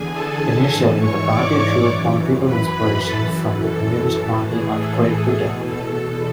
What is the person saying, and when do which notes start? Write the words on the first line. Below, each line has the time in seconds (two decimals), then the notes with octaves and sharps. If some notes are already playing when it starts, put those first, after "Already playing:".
Initially the party drew political inspiration from the Communist Party of Great Britain.
Already playing: E2 D3 G#4 G#5
0.13 A4 A5
0.70 G#2 E3 A4 A5
0.99 C#5 C#6
1.29 D5 D6
1.57 C#5 C#6
1.87 F#2 E3
2.45 B4 B5
3.03 F#2 E3 A4 A5
3.61 A4
4.19 A2 E3 A4
4.49 G#4
4.78 A4
5.07 G#4
5.35 E2 B2 G#4
5.65 A4
5.93 A4